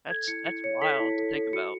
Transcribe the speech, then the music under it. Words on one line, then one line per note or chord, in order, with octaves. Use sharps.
That's that's wild to think about.
A4 G#6
E4 C#7
E4 C#7
C#5 C#7
A4 B6
E4
A4
A4
F#4 C#7